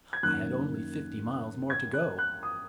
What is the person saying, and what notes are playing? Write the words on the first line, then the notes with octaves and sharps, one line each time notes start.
I had only fifty miles more to go.
G#6
F#2 D#3 A#3 F#6
G#6
F#6
F#6
D#6